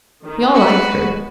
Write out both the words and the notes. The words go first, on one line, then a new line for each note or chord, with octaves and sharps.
We all like her.
D#3
G#3 F#4 B4